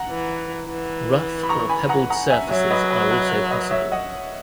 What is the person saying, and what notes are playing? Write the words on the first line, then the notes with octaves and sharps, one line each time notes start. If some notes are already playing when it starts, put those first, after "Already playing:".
Rough or pebbled surfaces are also possible.
Already playing: F#5 A#5
E3
E3
B5
A#5 C#6
C#6
G#5 B5
F#5 A#5
F#5 A#5
E5 G#5
F#3 C#5 E5
B4 D#5
B4
B4
A#4 C#5
B4 D#5
C#5 E5
D#5 F#5